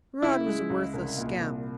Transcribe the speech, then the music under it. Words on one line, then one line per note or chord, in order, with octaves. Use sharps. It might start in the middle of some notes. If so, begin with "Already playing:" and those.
Rod was a worthless scamp.
C#3 E4
G#3
C#2
C2
A#2
C2